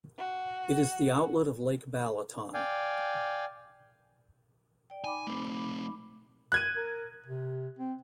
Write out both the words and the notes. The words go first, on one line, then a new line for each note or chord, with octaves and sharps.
It is the outlet of Lake Balaton.
F#4
D5 F5 G5 G#5
D5 G5
D#4 G#5 B5 D6
A3 C4
F#6 G#6 D#7
A#4
C3
C4